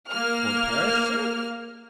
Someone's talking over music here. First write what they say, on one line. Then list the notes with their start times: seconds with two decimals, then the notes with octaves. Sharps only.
"Toward Paris, sir?"
0.10 A#3 F6